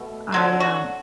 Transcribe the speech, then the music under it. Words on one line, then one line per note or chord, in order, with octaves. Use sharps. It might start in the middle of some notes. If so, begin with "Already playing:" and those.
I, um
Already playing: B2 A3
D3 F#3 C4
F#4